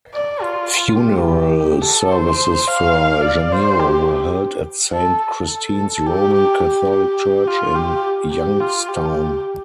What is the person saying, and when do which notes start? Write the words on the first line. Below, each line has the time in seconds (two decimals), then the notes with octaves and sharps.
Funeral services for Janiro were held at Saint Christine's Roman Catholic Church, in Youngstown.
0.14 D5
0.41 F4
0.98 G4
1.82 A4
2.11 C5
2.68 F5
3.23 D5
3.52 C5
3.80 G4
4.08 G4
4.93 A4
5.50 A4
6.06 G4
6.34 G4
6.63 G4
6.90 G4
7.48 F4
7.75 G4
8.31 G4
8.60 F4
8.88 G4